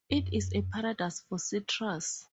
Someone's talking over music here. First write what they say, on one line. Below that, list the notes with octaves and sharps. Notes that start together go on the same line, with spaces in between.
It is a paradise for citrus.
F#2